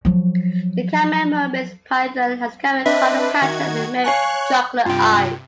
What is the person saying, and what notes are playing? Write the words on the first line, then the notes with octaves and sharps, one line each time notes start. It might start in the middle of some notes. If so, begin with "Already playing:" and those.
The caramel Burmese python has caramel-coloured pattern with "milk-chocolate" eyes.
F3 F#3
C4 D4 B4 D#5 E5
D#3 F#4 G#6
C#5 F5 G#5 A5 C#6 F#6
G2 C3 F4 G5